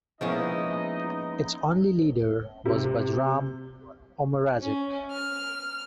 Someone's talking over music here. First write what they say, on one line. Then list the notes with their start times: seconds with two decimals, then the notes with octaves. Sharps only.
Its only leader was Bajram Omeragić.
0.21 F3 G#3 A#3 B3 C#4 D#4 E4 D#5
2.65 C3
4.60 C#4
5.11 F6